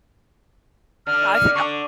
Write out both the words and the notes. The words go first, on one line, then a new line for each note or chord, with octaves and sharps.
Yeah, I think I
D3 F6
F6
D3 C#6